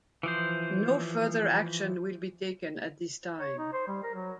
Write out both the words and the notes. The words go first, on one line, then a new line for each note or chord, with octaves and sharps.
No further action will be taken at this time.
E3 F3 C5
C#5
D#4
C5
G3
A#4
F#3